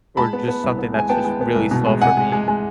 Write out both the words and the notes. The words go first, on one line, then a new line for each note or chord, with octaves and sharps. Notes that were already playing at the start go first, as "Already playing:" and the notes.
or just something that's just really slow for me.
G#3 A5 B5
B3
B3
C2
B3
G#3 G#5
B3 G5 A5
G#3
B3
C2
B2
G#3
C3 F#5 G#5
G#3
G#3
G#3